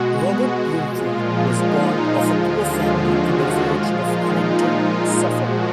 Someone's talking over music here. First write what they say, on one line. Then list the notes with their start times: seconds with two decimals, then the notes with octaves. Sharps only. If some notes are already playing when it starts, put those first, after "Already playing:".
Robert Bloomfield was born of a poor family in the village of Honington, Suffolk.
Already playing: B2 G#3 F#4
0.82 A#2 F3 G#3 F4
1.55 D#4
2.28 D#2 D3 F3 G#3 F4
3.00 F#4
3.72 A#2 F3 G#3 F4
4.09 D#4
4.45 F4
5.18 A#2 F3 G#3 F#4